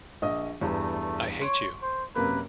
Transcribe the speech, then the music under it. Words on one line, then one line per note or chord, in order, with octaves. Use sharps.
I hate you!
A#1 D#5 D#6
E2 G2 A3
C#5 C6 C#6 D7
C5
F#2 C3 A#3 B4